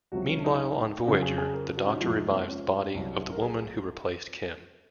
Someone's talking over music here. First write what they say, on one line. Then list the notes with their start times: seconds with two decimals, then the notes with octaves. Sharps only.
Meanwhile on "Voyager", the Doctor revives the body of the woman who replaced Kim.
0.12 C#2 C3 F#3 F#4
0.28 C#4
0.44 D#4
1.07 F2 C#3 F#3 F#4
1.22 G#4
1.38 G#4
1.53 A#4
1.77 F#4
1.86 C#4
1.93 D#4
2.00 F2 C3 F3 G#3 F4
2.16 D#4
2.27 A#3
2.32 C4
2.48 C#4
2.94 C2 C3 F#3
3.32 A#4
3.42 G#4